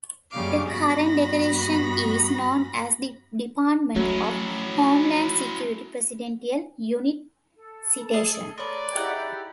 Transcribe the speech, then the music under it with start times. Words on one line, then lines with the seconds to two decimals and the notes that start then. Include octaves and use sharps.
The current decoration is known as the "Department of Homeland Security Presidential Unit Citation".
0.31 F#2 C#3 G3 A#3 F5 D6
0.67 G2 B3 F#4 B5 A#6
3.96 F#3 A3 C#4 E4
7.56 A4
8.13 A3 G#4 D#5
8.58 A#4 B4 C#5 D5 C6
8.95 D#4 E4 G4 G#4 D#5 E5 F#5 B5